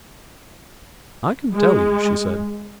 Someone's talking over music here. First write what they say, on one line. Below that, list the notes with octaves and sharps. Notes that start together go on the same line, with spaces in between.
"I can tell you," she said.
G#3